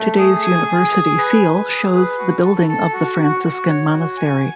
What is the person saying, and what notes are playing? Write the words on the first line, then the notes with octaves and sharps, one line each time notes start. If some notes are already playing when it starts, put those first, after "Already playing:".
Today's University seal shows the building of the Franciscan Monastery.
Already playing: A3
G#4
G#5
G#4
G#5
B4
B4
G#4
B4
F#4
A4
A4
F#4
F#4
F#4
C#5
F#4
G#5